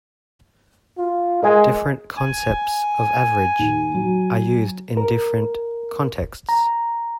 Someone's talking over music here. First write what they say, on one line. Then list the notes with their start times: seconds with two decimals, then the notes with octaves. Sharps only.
Different concepts of average are used in different contexts.
0.98 F4
1.43 G#3 A#4 D#5 G#5
2.18 G#5
3.59 D#2
3.94 F#3
4.97 A#4
6.49 A#5